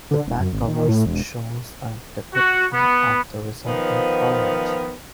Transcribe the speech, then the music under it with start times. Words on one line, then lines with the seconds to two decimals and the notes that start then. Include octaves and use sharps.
The back cover shows a depiction of the resulting carnage.
0.11 D3
0.27 E1
0.39 F#2
0.53 G#1
0.68 D#3
0.89 A2
1.05 E1
2.34 F#4
2.73 B3
3.65 D#3 F3 B3